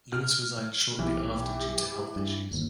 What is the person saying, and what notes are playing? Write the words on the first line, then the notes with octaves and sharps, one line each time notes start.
Lewis resigned shortly after due to health issues.
F6
B1 E3 G4
G2
G1 D#2